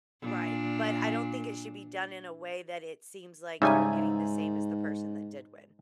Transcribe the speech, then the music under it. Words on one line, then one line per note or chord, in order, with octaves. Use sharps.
Right, but I don't think it should be done in a way that it seems like you're getting the same as the person that did win.
A#2 D4
G#2 C#3 G3 D#4 E5 G#5 A#5